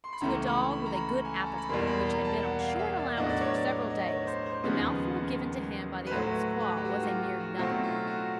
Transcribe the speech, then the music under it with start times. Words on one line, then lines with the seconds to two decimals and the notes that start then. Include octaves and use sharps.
To a dog with a good appetite which had been on short allowance for several days, the mouthful given to him by the old squaw was a mere nothing.
0.04 C6
0.13 B5
0.21 C#2 C#3 E3 A3 A#5
0.47 B5
0.71 B5
0.86 A#5
0.96 B5
1.25 G#5
1.35 A5
1.46 A#5
1.58 B5
1.69 E2 B2 G3 A#3 C6
1.87 B5
2.06 A#5
2.24 A5
2.43 F#5
2.61 F5
2.79 E5
2.99 D5
3.17 A2 F#3 B3 D4 D#5
3.29 D5
3.41 C#5
3.54 D5
3.90 D#5
4.08 C#5
4.27 C5
4.46 C5
4.64 D#2 C#3 F3 G#3 B3
6.07 B4
6.11 A2 F#3 A3 C5
6.36 B4
6.60 B4
6.77 G4
6.85 F#4
7.03 F4
7.40 F#4
7.58 B2 F#3 A3 C4 F4
7.84 F4
8.07 F#4